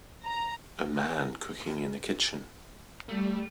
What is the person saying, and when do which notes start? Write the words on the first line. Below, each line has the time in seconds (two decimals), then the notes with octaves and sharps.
A man cooking in a kitchen.
0.24 A#5
3.09 G3 A3